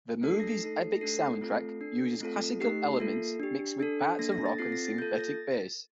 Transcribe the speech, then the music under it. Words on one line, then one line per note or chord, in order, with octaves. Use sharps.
The movie's epic soundtrack uses classical elements mixed with parts of rock and synthetic bass.
A3 D4 A4
C7
A#6
C7
A3 D#4 A4
A#6
A3 D4 A4 C7
A3 C4 F4 A4
D4 A4 C7
A3 C4 F4 A4
A3 D#4 G4 C7
A#3 F4 A4
D4 G4
D4 A4
A#3 D4 A4 A#6
A#6
A6
C4 F4 A4 C7
A#6
A6
A#3 F4 A4 G6
A#6
A6